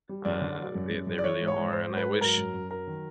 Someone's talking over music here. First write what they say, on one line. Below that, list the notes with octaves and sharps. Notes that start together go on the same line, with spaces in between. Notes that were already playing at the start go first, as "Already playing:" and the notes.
uh, they they really are, and I wish
G3
F#2 D5
D3
F#3
F#2
F#2
F#2
D5
E3 C#5
G#2
C#5
G#2
G#2 C5
G#2
B4
G#2
F#3 A#4
F#2
F#2
F#3 A#4
D#3